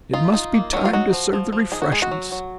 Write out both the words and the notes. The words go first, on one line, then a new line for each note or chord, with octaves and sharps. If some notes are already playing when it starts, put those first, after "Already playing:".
It must be time to serve the refreshments.
D#4 F4
D#4
A#3
F#3 D#4
F4
D#4 F#4
F3
F3
F3
D#4 G#4
F#4
G#3 G#4
F#4
F#3
F#3